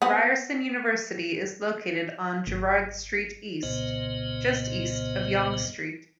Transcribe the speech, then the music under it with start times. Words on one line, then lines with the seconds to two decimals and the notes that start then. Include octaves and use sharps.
Ryerson University is located on Gerrard Street East just east of Yonge Street.
0.02 B3 C4
2.47 G#1
3.63 C2 A#2 C#3 B3 C5 D#5